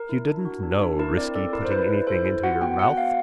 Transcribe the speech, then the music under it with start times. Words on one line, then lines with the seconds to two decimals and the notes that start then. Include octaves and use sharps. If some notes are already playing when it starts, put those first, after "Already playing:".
If you didn't know risky putting anything into your mouth.
Already playing: A#4
0.09 E4
0.27 D4
0.45 F#4
0.63 D4
0.81 D4
0.99 E4 A#4
1.17 C4 D5
1.35 A4 D5
1.53 E4 A#4
1.65 C5
1.71 E4 B4
1.89 E4
2.07 A4 C5
2.25 E4
2.43 F#4 F#5
2.61 B3 G5
2.79 F#4 F#5
2.97 B3 F5